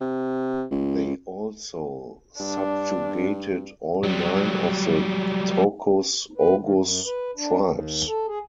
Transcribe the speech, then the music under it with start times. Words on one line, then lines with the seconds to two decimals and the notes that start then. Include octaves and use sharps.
They also subjugated all nine of the Tokuz Oguz tribes.
0.01 C3
0.71 C#2
2.40 G2 D4
4.03 F#3 G3
6.38 B4
6.61 D#3
6.77 F#2
7.05 B4
7.37 D4
7.62 D#2
8.07 A4
8.27 G#4